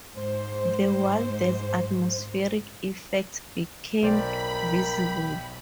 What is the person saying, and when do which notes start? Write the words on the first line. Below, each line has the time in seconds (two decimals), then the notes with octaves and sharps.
The wildest atmospheric effects became visible.
0.15 G#2 C5
4.02 B1 A#4 C5 D5 G5 B5